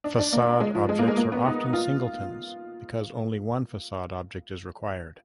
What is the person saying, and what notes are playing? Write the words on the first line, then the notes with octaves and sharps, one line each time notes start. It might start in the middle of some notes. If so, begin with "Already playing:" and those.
Facade objects are often Singletons because only one Facade object is required.
D4
D4
A#3
G#3
F3
G#3
A#3
G#3
A#3
B3
D#4
F4